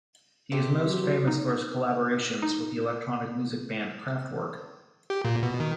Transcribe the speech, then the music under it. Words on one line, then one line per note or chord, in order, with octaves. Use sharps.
He is most famous for his collaborations with the electronic music band Kraftwerk.
C3 G4
F#3
D#4
D#4
G4
A#2
B2
D#3